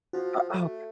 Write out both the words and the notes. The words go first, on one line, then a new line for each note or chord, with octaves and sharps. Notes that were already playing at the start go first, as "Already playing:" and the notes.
uh, oh god.
F3 F#4
A3